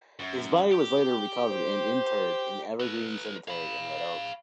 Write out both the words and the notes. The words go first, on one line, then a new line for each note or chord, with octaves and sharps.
His body was later recovered and interred in Evergreen Cemetery in Red Oak.
F#2
G4
C5
A4 B4
F5 B5